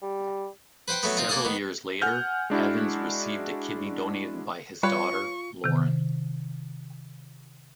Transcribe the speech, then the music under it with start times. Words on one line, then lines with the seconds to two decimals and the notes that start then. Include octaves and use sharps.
Several years later, Evans received a kidney donated by his daughter, Lauren.
0.02 G3
0.88 B4 C5 F#5 G5
1.03 F#3 A3 B3
1.17 C4 D#4 F4
1.29 A#3 D5 F#5 G#5 A5 D#6
1.45 D#3 B3
2.02 F#5 G#5 F6 G6
2.50 G#3 D4 E4 F#4
4.83 G3 F4 B4 C#5 C#6
5.64 C3 D#3